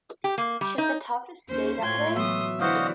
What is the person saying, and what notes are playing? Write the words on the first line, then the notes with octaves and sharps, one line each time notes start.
Should the tuft stay that way?
G4
A#3
G3
D#4
D#2 C#4 C5
A2 A3 F4 C#5 G5 C6 G#6
E3 F#3 B3 E5 C6 D#6
D3 E3 F#4 C5 D#5 F5 F#5 D6